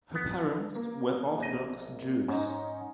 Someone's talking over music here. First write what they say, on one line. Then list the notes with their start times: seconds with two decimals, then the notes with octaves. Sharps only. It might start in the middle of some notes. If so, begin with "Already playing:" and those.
Her parents were Orthodox Jews.
0.15 B3
0.75 A#3
1.38 A#1 D#5
2.28 G#2 C#4 D#4